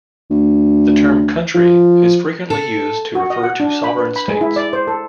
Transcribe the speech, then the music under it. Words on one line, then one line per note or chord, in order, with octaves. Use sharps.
The term "country" is frequently used to refer to sovereign states.
D2
F3
A4
F#4
D#5
F#5
D4
B5
B4
B5
G#3
E4
D5
C5
A4